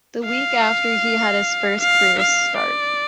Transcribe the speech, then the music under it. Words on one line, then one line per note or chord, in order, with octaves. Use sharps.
The week after, he had his first career start.
F5
F5
F5
D5